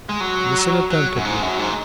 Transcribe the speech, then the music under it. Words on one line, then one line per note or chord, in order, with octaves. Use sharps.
"Listen attentively."
G#3
F#3
F#3
F#2
G#2
F#2
G#2